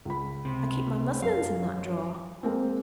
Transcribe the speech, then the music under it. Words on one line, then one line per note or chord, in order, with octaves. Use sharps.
I keep my muslins in that drawer.'
C#2 B5
C3
F#2 F5
G#3 A#3 C4